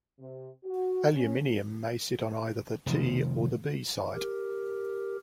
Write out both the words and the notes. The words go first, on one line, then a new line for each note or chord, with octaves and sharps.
Aluminium may sit on either the "T" or the "B" site.
C3
F#4
C#4
F1 D#3 F3
G4 A#4